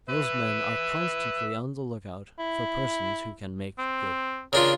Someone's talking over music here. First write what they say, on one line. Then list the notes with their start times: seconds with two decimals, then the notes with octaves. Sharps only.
Those men are constantly on the lookout for persons who can make good.
0.09 B4 E5
2.39 E4
3.79 C4
4.53 C#3 D4 F4 A#4